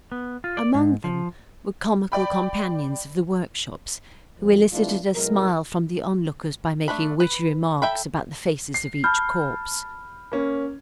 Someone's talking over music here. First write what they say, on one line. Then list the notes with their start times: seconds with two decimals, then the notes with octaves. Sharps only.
Among them were comical companions of the workshops who elicited a smile from the onlookers by making witty remarks about the faces of each corpse.
0.12 B3
0.44 F4
0.57 D5
0.74 G#2
1.04 F3
2.12 D5 G5 B5
4.39 F2
4.72 D#3 G#3 B3 D4 E4 F4
5.14 B2 F#3 G#3 E4 A#4
6.88 A3 D4 B5
7.20 B4
7.82 A4 E5 G5 B5
8.74 C7
9.04 A5 B5 F6 G6
10.32 A#3 C#4